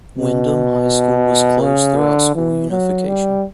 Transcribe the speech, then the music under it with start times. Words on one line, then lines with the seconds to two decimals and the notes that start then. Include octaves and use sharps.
Windom High School was closed through school unification.
0.18 B2
1.62 C#3
1.98 D3
2.35 E3
2.70 F#3
3.07 G3